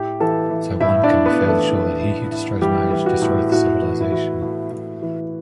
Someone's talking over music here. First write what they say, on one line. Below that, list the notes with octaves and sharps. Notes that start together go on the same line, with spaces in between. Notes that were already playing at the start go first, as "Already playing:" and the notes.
So one can be fairly sure that he who destroys marriage destroys the civilization.
Already playing: A2 G4 G5
E3 A4 A5
E3
A2 E4 E5
D4 D5
A2
B3 B4
E3
A3 A4
E3
A2
A2
E3 G3 G4
E3
F#4
A2
A2 F#4
E3
E4
E3 F#4
A2 F#4
A2
E3